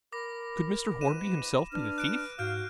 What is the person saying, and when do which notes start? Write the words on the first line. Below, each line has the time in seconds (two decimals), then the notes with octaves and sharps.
Could Mr. Hornby himself be the thief?
0.12 A#4 B5 D6 A#6
1.01 G#2 F4 B4 D#7 E7
1.72 D4 B4 F6
1.98 F#6 D7
2.39 G#2 F#4 F5 F6 G6 D7